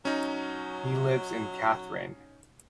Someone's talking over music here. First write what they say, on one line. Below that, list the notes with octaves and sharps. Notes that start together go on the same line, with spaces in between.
He lives in Kathryn.
F#3 C#4 D#4